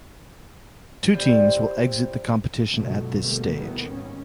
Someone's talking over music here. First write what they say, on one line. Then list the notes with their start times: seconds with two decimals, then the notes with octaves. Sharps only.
Two teams will exit the competition at this stage.
1.14 F3 G3 C4 E4
2.71 C#2 G2 B2 D3 F#3 A3
3.19 B2 D3 G3 A3 A#3
3.55 E2 B2 D#3 A3 B3
3.84 G#1 D#2 G3 C#4